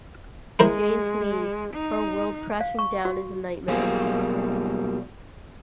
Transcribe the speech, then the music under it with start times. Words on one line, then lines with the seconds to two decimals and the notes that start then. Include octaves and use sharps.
Jane flees, her world crashing down is a nightmare.
0.59 G#3 E4 A#4 C5
1.74 D#4
2.61 F5
2.79 C#6
3.05 F#4
3.68 B2 F#3 G3 A#3 F4 G#4